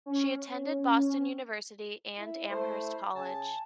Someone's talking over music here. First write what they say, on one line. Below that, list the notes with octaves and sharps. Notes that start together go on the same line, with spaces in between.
She attended Boston University and Amherst College.
C#4
E4
A3 E4 C5
C#3 G#5 A5